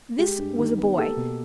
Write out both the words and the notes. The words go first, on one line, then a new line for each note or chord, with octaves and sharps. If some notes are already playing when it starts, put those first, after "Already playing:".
This was a boy.
G#3 G4
G2
D#3
B3
A#3 G4 A4
B2